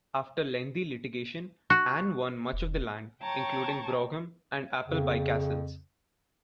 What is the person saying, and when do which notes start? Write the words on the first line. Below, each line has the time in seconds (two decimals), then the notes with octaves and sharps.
After lengthy litigation Anne won much of the land, including Brougham and Appleby castles.
1.70 F#4
2.53 E1
3.22 C#5 G5 A5 A#5 C#6 G#6
4.87 F2 C#3